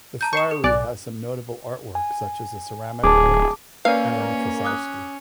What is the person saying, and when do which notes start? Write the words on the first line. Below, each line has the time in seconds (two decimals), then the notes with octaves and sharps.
The friary has some notable artwork such as the ceramic artist Adam Kossowski.
0.21 A5 A#5 G6
0.33 C#6 G6 C7 E7
0.51 A4
0.64 B1 D5 G#5 F#6
1.95 G#5
3.04 D1 G#4 A5 D6
3.85 A#3 C#4 B4 D5 F5
4.64 D6 D#6 F#6